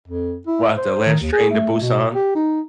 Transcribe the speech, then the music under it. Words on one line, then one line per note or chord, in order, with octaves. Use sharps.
What, the last Train to Busan?
F2
E4
C5
D#3
D#2
G#4
A3
B2
G4
D#4